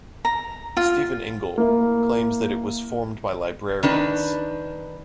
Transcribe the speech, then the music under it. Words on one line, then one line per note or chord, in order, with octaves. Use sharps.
Stephen Ingle claims that it was formed by Librarians.
A#5
F4
A#3 E4
D#3 D4 B4